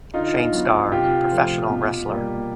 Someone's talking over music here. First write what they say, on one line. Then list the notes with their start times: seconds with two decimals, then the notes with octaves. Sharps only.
Shane Starr, professional wrestler.
0.14 D3 D#4 F4
0.52 F#3 B3
0.92 C3 F4 G4
1.31 F3 A3
1.70 B2
2.08 G3 A#3